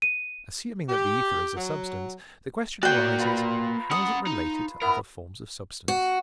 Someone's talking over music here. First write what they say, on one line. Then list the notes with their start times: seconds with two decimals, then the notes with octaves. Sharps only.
Assuming that the ether is a substance, the question arises how is it related to other forms of substance?
0.02 D#7
0.89 G4
1.56 F#3
2.83 A#3 F#4 D5 G5
3.19 F4 B4 A#5
3.91 C#4 F#5 D#6
4.27 D#4
4.82 B3 E4 A#4 B5
5.88 F#4